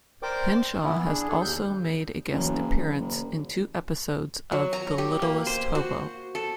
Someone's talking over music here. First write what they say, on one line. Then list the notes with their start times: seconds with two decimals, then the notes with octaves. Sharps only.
Henshaw has also made a guest appearance in two episodes of "The Littlest Hobo".
0.23 A#4 C5 D5 G5 D6
0.52 C6
0.83 E3 B3 E4
1.06 D4 G#4
1.28 D4 A4
1.42 D#2 G6
2.33 F#1 E3 F#3 C#4
3.00 F#1
4.52 F#3
4.73 A#5
4.98 G4
5.22 A#3
5.47 C5
5.75 F#4
6.35 A4